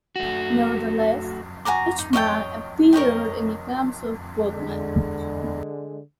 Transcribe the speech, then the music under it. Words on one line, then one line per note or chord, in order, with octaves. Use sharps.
Nevertheless, Eichmann appeared in the accounts of both men.
A3 F#4
F#4 G#5 A#5 D6
D#4
C#5 D#5 E5 G5
A#4 C#5 D#5 G5
D3 G#3